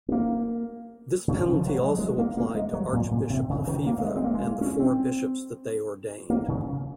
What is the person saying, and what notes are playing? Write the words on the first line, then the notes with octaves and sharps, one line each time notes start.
This penalty also applied to Archbishop Lefebvre and the four bishops that they ordained.
C4
A#3
C#3
D#3
F3
F#3
G#3
G#3
A#3
A#3
G#3
F#3
A#2
A#2
C3
C#3
D#3
A#3
A#3
G#3
C4
A#3
G#3
A#3
C#4
C4
A#3
C#3